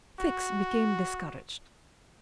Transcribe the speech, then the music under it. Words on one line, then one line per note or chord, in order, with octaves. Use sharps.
Fix became discouraged.
F#4